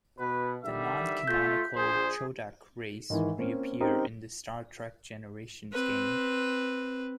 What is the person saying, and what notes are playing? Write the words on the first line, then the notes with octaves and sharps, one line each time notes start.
The non-canonical Chodak race reappear in the "Star Trek Generations" game.
B2 B4
D3 D#3 G3 E5
A3 F4 G6 B6
A#1 G#4 C5
G#2 D#3 E3
A#3 C4 C#4
C4 C#4 D#4 G4 A#4
C4 B4